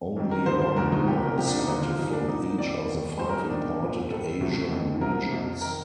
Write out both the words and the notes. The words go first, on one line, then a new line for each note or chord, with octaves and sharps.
Only one winner is selected from each of the five important Asian regions.
F2 D#3
A#4
G2 D3 F3 C5
C5
D2 D3 F3 A#4
D#4
C2 A#2 F3 G4
A#4
C2 C3 F3 G4
D4
D#4
D#2 D3 F3 D#4
F4
G2 F3 D#4
D4
C2 A#2 F3 D#4
D#4
F2 D#3 D5
D#2 D#3
G2 F3 C5
A#4
D#4
D#2 D#3 D4
C2 A#2 F3
G2 D#3 A4
D2 C3 F3
F2 D#3
C2 C3 F3 A#4
F2 C3 F3
A#4
D#3